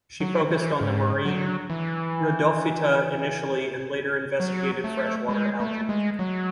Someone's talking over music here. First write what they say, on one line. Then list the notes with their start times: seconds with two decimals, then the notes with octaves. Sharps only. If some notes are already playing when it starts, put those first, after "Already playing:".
She focused on the marine Rhodophyta initially and later investigated freshwater algae.
0.21 F#3
0.51 E3
0.81 G#2
1.25 F#3
1.70 E3
4.40 F#3
4.84 A3
5.29 G#3
5.60 A3
5.89 G#3
6.19 F#3